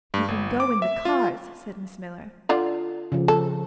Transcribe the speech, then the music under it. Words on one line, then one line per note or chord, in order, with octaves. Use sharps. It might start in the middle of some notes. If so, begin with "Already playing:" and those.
"You can go in the cars," said Miss Miller.
G2
G1
D6
E5
F4
D3 F4 D5
C#3 F3
A4